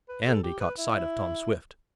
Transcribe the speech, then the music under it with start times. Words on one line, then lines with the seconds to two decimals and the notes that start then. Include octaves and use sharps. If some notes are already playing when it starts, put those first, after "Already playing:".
Andy caught sight of Tom Swift.
0.08 B4
0.26 A4
0.43 G4
0.60 B4
0.78 E4